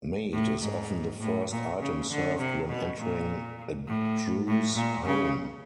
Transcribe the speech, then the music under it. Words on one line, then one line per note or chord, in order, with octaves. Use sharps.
Mate is often the first item served when entering a Druze home.
A2
G#2
A2
A#2
C#3
D3
C3
B2
A#2
A2
A2
A#2
C#3